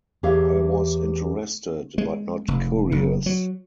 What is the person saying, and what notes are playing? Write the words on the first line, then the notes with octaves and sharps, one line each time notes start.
I was interested, but not curious.
E2 G4 C#5 E5 F5
G#3
F1
F#1
F#3